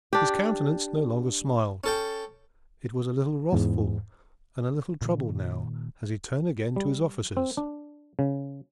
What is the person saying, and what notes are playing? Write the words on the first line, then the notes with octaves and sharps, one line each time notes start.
His countenance no longer smiled; it was a little wrathful and a little troubled now as he turned again to his officers.
D4 G4
C#4 A4 G5
E2 G#2
A#2 D#3
G3
C4
D4
C#3